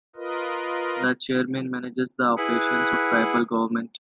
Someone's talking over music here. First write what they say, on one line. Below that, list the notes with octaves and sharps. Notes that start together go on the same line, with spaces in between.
The chairman manages the operations of tribal government.
F4 A#4 B4 D#5
E4 G#4 B4 F#5